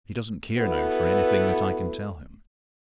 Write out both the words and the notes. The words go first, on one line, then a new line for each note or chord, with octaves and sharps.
"He doesn't care, now, for anything that I can tell him."
B3 E4 F#4 A4 B4